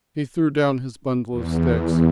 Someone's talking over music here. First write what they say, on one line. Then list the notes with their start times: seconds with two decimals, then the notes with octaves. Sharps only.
He threw down his bundle of sticks.
1.32 E2